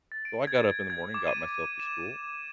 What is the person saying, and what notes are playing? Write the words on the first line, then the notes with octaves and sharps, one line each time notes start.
So I got up in the morning, got myself to school,
A6
D7
G#6
G#6
D6
D#7
E7